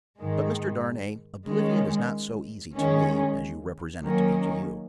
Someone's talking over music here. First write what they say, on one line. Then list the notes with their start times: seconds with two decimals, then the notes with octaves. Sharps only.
But, Mr. Darnay, oblivion is not so easy to me, as you represent it to be to you.
0.18 G#2 D#3 G#3
1.46 D#3 G#3 C#4
2.74 D#3 G#3 C#4
4.02 D#3 F#3 A#3 C#4 A#4